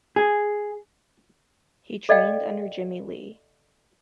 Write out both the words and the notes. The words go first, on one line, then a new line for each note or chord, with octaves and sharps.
He trained under Jimmie Lee.
G#4
A4 D5 D#5 F5 G5